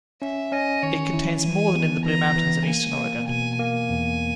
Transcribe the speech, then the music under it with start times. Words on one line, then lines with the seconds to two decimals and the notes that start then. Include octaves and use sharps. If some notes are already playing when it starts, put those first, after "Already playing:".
It contains more than in the Blue Mountains of eastern Oregon.
0.22 C#4 E5
0.52 C#4 D#5
0.83 D#3 C#5
1.13 E4
1.44 E3 G#5
1.75 B3
2.05 E3 A#5
2.36 E3
2.66 A#3 G#5
2.97 A#3
3.28 B2 G#5
3.59 A#3 G#5
3.90 E2